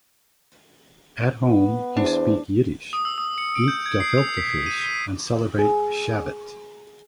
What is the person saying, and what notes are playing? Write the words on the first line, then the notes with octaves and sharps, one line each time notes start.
At home, you speak Yiddish, eat gefilte fish, and celebrate Shabbat.
B3
E2 D4 C5
D#6
E6
D#6
C#7
D7
G6
G#6
C7
F7
B6
D#7
B6
G#4